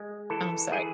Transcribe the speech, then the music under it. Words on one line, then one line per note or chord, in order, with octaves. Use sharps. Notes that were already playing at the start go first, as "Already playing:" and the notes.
oh, I'm sorry
Already playing: G#3
E3 A4
E3 G#4